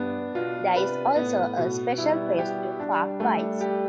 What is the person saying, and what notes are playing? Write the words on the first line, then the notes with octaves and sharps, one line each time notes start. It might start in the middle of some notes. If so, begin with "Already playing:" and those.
There is also a special place to park bikes.
Already playing: G2 B3 D4
B2 F4
C3 B4
A2 B3
B2
G3 E4
G4
G3 D4
A3
G4